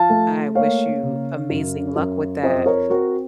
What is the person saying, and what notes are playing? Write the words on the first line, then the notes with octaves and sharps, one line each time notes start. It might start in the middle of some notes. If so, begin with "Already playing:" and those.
I wish you amazing luck with that,
Already playing: F3 F5 A5
A3
A#3 C#5 F5
C#3
F#2
F#2
F2 C5 D#5
A#4 C#5
C4 F#4 A#4